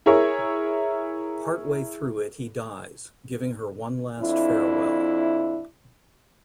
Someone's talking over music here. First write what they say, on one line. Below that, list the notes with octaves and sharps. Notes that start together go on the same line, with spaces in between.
Part way through it, he dies, giving her one last farewell.
E4 G#4 A#4 C#5 E5
F2 D4 E4